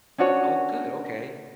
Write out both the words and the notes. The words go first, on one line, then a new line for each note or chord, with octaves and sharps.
Oh, good. Okay.
C#4 D4 F#4 C#5